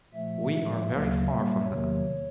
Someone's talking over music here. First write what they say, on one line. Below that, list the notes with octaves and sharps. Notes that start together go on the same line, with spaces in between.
We are very far from that.
A#2 F3 A3 E5
A2 F3 G#3 E5
D2 C#3 F#3 A#3 F5
A#2 G3 A#3 E5
E2 C3 D#3 F#3 A#3 C#5